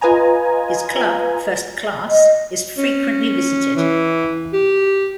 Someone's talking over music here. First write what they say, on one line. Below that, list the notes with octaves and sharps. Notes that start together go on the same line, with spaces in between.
His club, "First Class", is frequently visited.
F4 B4 D#5 G#5 A#5
D#5
C#4
E3
G4